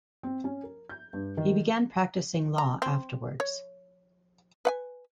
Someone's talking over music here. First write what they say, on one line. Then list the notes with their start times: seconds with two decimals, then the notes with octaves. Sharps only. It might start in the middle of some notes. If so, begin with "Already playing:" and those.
He began practicing law afterwards.
0.23 C4
0.44 C#4
0.63 A#4
0.89 G6
1.13 G2
1.37 D#3
2.58 A#5
2.82 C4
3.40 C#5
4.65 B4 F#5 G#5